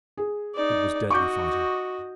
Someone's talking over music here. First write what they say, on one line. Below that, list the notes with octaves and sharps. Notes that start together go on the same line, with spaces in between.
It was deadly fighting.
G#4
D#4 D5
F#4 D#5 C#6 D6 G6